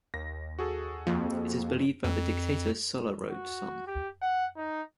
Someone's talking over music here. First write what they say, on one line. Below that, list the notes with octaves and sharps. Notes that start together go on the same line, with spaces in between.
It is believed that the dictator Sulla wrote some.
D#2 A#6
F#4 G#4 A4
F2 A#3
F2
F#4
G4
F#5
D#4